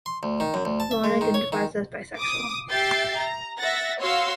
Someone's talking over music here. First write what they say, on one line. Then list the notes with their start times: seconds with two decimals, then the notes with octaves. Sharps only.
Lauren identifies as bisexual.
0.06 C6
0.23 D2
0.40 D#3
0.54 F#2
0.65 D2
0.80 A5
0.91 E5
1.04 G#3
1.21 D#3
1.34 C#5
1.52 D#3
2.19 D6 D#6
2.70 G4 E5 G5 G6 A6 C7
3.19 A#5
3.58 E5 F#5 A6 A#6
4.01 F#4 C#5 F5 C6 E6